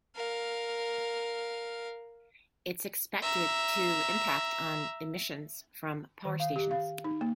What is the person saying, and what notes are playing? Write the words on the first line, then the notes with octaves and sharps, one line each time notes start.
It is expected to impact on emissions from power stations.
A#4 F5
E5 A#5
D#3
F5
G4
F5
D#4
A#3